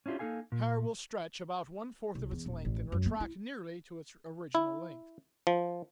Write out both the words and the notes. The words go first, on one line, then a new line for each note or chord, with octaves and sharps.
Hair will stretch about one-fourth of its length and retract nearly to its original length.
C#4 D4 E4 F4 G4
A#3 D#4 A4 F5 G#5
A#2
C2
E2
D#1
A1
F#2
A#3
E4
E4
F3